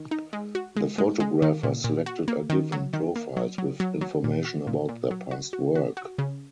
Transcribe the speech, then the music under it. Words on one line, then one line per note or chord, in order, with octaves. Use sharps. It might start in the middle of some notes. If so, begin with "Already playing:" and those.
The photographers selected are given profiles with information about their past work.
Already playing: D#3
D#4
G#3
F#4
G#3
G#3
G#3
D#3
A#2
A#2
F#4
A#3
D#3
F#3
D#3
A#3
F#3
F#3
F#3
F#3
A#2
F#4
A#2
A#2
F#3
F#4
F#4
F#4
F#4
C#3